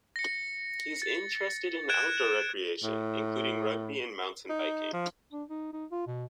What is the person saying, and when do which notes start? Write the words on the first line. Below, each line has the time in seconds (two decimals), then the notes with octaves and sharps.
He is interested in outdoor recreation, including rugby and mountain biking.
0.16 A#6 C#7
1.02 A6
1.89 F#6 G#6 D7 E7
2.83 A2
4.50 D#4
4.93 F3
5.33 D4
5.50 D#4
5.73 D#4
5.92 F4
6.07 B2